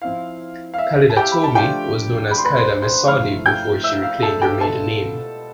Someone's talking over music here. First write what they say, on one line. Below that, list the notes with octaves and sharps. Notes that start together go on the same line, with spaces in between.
Khalida Toumi was known as Khalida Messaoudi before she reclaimed her maiden name.
F3 C4 E4 F5
F5
E5
A5
G4 G5
B5
A5
F3 A3 D4 F4 G4 G5
B5
C6
B4 B5
C5 C6
C5 C6
F3 A3 E4 F5 F6
G5 G6
E5 E6
F5
A4 A5
G4 G5
B2 B3 F4 A4 A5